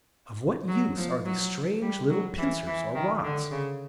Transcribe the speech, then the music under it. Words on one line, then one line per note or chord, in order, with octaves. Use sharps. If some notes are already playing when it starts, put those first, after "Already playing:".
Of what use are these strange little pincers or rods?
F#3
F3
F#3
G3
F#3
E3
E3
D#3
D3
C#3